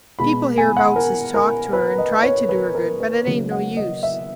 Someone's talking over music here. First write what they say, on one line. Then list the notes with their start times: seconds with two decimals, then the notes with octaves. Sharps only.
People hereabouts has talked to her and tried to do her good, but it ain't no use.
0.19 B2 G#3 B5
0.58 G#5
0.77 F#5
0.96 A#4
1.34 A#4
1.73 B4
1.98 D#5
2.23 C#5
2.49 B4
2.75 A#4
3.00 B4
3.26 C#3 F#3 A#3
3.51 F#5
3.77 D#5
4.03 E5